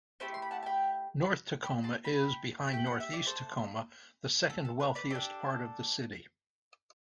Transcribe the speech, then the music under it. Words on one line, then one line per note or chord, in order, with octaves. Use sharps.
North Tacoma is, behind Northeast Tacoma, the second wealthiest part of the city.
A3 E4 G4 A4 C5
C6
B5
F#5 A5
A5
G5 B5
G5 B5
A5 C6
G5 B5
A3 E4 G4 G5
F#5
E5
D5
A4 C5
A4
A4
B4
B4 D5
D4 G4 A4 C5